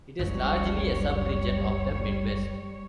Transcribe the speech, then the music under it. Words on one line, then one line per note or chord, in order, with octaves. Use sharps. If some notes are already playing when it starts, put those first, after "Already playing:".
It is largely a sub-region of the Midwest.
F#1 C#2 G3 C#5